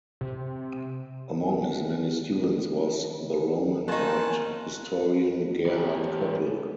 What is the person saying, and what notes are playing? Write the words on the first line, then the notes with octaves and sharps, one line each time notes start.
Among his many students was the Roman art historian Gerhard Koeppel.
C3
D#3 A#3 C#4 D#4 C5 C#5 A5 F#6
E3 G4